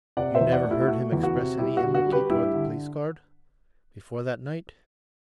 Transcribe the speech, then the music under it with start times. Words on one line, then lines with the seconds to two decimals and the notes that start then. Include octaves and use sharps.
"You never heard him express any enmity toward the Police Guard--before that night?"
0.17 C3 D5 F#5
0.35 C5 E5
0.41 E2
0.52 D5 F#5
0.64 A3
0.70 E4 G4
0.81 E4
0.87 A3 F#4
1.12 E2
1.23 F#4
1.35 C3
1.59 G3 E4 G4
1.77 F#4
1.83 D3
1.95 F#4
2.06 G3
2.12 G4 B4
2.30 G2 E4 G4
2.54 D3